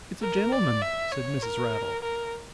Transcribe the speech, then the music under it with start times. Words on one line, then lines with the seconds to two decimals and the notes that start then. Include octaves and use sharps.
'It's a gentleman,' said Mrs. Raddle.
0.22 A#4
0.52 D5
0.82 E5
1.12 C#5
1.42 A#4
2.02 A#4